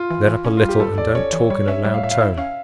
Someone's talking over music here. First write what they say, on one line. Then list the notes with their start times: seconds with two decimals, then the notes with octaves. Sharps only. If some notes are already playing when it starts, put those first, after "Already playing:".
Let up a little, and don't talk in a loud tone.
Already playing: F4
0.10 E3
0.27 E3
0.45 C#4
0.57 F4
0.63 G3
0.69 G4
0.80 G3 A4
0.98 E2 D5
1.15 C#4 C#5
1.33 E3
1.50 G3 C#5
1.68 C#4 E5
1.85 G3 E5
1.94 F5
2.03 A2 E5
2.11 F5
2.21 E4 E5
2.38 C#4 F5